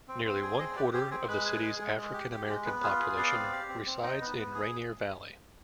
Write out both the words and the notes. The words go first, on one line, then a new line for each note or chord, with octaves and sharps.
Nearly one quarter of the cities' African-American population resides in Rainier Valley.
C4
C4
G#4
C4 C5 D#5
G4 B4 D5
G4 G#4 C5
C4 G#4
G#3 B4
G#4
G#3
G#3
G#3
G4
G4
G#3
B3 B4
F4 G#4
G#4 B4
B3 D5 F5
C4
G4
C4
C4
D#4
B3
B3
G#4